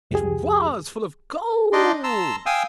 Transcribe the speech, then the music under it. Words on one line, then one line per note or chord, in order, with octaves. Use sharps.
It was full of gold.
C2 F2 F3 G4 G#4
D4 D#4 D5 D#5 C6
A5 A#5 C6 E6
F5 G5 G#5 D#6 E6